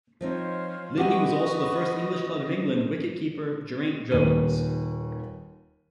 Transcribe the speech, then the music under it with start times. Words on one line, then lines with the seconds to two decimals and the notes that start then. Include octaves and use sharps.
Lydney was also the first English club of England wicket-keeper Geraint Jones.
0.21 F3 C4 D#4 F4 C5 C#5
0.97 C4 F#4 G4 B4 D#5 G#5 C#6
4.12 D#1 D#2 B4 D#7